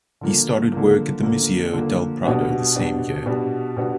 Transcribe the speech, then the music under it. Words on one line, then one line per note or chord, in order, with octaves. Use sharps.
He started work at the Museo del Prado the same year.
D3 F3 A#3
D3 F3 A#3
D3 F3 A#3
D3 F3 A#3
B2 G3 B3 D4 F#4
B2 G3 B3 D4 F#4
B2 G3 B3 D4 F#4
B2 G3 B3 D4 F#4